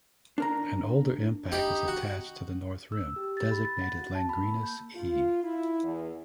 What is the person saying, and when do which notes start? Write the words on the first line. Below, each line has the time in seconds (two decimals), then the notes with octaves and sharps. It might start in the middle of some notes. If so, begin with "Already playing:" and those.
An older impact is attached to the north rim, designated Langrenus E.
0.38 D4 A#4 A#5
1.52 D#4 G4 B5
1.88 F#4
2.92 E6
3.16 G4
3.37 A6
3.51 B5
3.65 A6
3.81 F#5
4.01 F#4
4.15 A5
4.29 B5
4.43 A#3
4.63 G6
4.95 F4
5.44 E4
5.83 E2